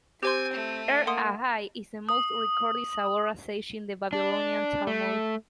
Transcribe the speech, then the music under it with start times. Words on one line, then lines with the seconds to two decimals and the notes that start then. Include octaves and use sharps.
R. Ahai is the most recorded Savora sage in the Babylonian Talmud.
0.23 C4 G4 C5 G#5 C6
0.53 A3
1.07 A#3 F#5 C6 D#6
2.09 D#6
4.13 D4
4.87 A3